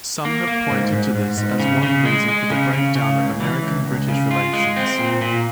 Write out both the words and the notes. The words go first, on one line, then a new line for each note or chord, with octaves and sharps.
Some have pointed to this as one reason for the breakdown of American-British relations.
A#3
A#3
G#2
G#2
G#2
G#2
C#3
C#3
G#3
G#3
C#3
C#3
C#3
C#2
E3
C#2
C#2
C#3
F4
G#3
C4
A#2
A#2